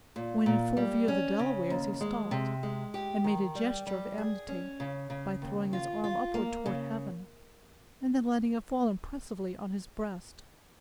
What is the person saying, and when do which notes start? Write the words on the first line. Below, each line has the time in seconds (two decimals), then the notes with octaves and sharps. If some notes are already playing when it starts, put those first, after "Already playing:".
When in full view of the Delawares he stopped, and made a gesture of amity, by throwing his arm upward toward heaven, and then letting it fall impressively on his breast.
0.16 A#2
0.46 A#2
0.77 G3
1.08 C#4
1.39 C#3
1.70 D#2
2.01 G#3
2.31 C3
2.63 G#3
2.94 G4
3.24 D#3
3.55 G3
3.87 G3
4.18 G#4
4.48 C#4
4.80 C#3
5.10 C#3
5.42 D#2
5.73 F4
6.04 F4
6.34 A#3
6.66 C#3